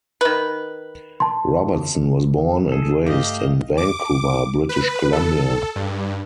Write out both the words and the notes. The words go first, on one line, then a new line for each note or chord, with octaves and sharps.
Robertson was born and raised in Vancouver, British Columbia.
D#3 B4
A5 C6
G#4 A4
G2 A3 G4 D#5 F5
D6
B4
A4
G2